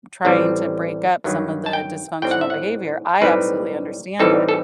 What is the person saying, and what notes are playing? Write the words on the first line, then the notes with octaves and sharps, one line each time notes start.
trying to break up some of the dysfunctional behavior, I absolutely understand it.
A1 A2 G3 C4
G2 D#3 F#3
A5
G5
A2 G3 C4 D#4 G5
F#5
E5
F#5
B1 A2 G3 C4 D#4 B4
A2 E3 G3 C4 D#4 A4
A4